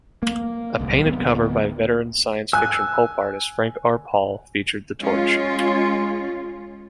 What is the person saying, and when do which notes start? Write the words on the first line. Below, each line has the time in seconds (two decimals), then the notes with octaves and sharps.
A painted cover by veteran science-fiction pulp artist Frank R. Paul featured the Torch.
0.23 A#3
0.79 D1 C2
1.06 D1 D2 A#3 B3
2.53 G#5 E6 F#6
5.00 G#3 C#4 F4